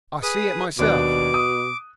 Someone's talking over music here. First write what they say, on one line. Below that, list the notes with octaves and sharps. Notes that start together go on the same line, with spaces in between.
"I see it myself."
G#4 B4 D#6
D#2 B2 D4 D6 F#6
D#6